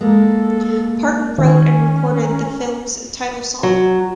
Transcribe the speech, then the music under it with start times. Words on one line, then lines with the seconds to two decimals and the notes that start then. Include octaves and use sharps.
Parton wrote and recorded the film's title song.
0.01 G#3 A#3 A4
1.38 D#3 C#4 G#5
2.23 A#4
3.63 F#3